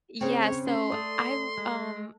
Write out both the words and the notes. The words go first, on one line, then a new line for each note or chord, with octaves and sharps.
Yeah, so I'm, um,
C#3 C4 C#5
C#5
C#4 C6
A3 D5 D#6
G#3